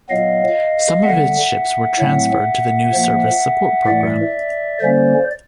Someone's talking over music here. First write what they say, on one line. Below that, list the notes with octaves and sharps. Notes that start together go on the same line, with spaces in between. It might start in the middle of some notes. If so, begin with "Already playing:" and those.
Some of its ships were transferred to the new Service Support program.
A#2 F#3 B3 D#5 F5
D3 G3 B3 E5 F#5
A2 F#3 A3 C4
A#2 F3 A#3
A2 E3 A3 D5 E5
D3 G3 A#3 C#4 C5 D5